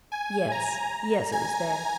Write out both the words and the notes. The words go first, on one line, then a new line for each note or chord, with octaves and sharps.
'Yes--yes--it was there.'
G#5
A#5
G#5